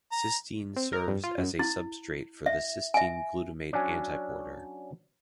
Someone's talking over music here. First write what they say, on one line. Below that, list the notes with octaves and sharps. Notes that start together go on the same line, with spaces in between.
Cystine serves as a substrate for the cystine-glutamate antiporter.
A#5
C4
A#4
G2
F4
F#2
E4
E5
E5 G#5
F#3 C#4 D4 D5 G#5